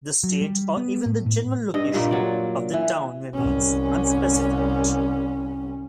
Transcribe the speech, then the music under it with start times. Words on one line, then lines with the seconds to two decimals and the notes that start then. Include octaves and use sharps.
The state or even the general location of the town remains unspecified.
0.24 F#3
0.41 G3
0.77 B3
1.06 A2
1.26 A2
1.74 G2 D#5
1.94 G2 A#2 A#3
2.11 F#3 D5
2.74 E3
3.34 C2 C#4